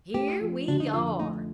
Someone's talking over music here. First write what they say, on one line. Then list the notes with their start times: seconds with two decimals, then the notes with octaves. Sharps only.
"Here we are!"
0.14 A3 G4
0.41 F3
0.68 D3 D4
0.80 D#4
0.93 F2 F4
1.20 A3 D#4